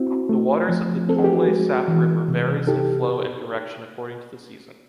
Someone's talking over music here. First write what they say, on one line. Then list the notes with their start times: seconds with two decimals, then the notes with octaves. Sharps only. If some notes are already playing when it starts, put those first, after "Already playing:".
The water of the Tonlé Sap river varies in flow and direction according to the season.
Already playing: C4 E4 F#4
0.29 A3
0.69 F3
1.09 C4 A4
1.17 G#4
1.24 G4
1.32 F#4 G#4
1.48 G#3
1.88 E3
2.28 C3
2.67 D#4 G4 A4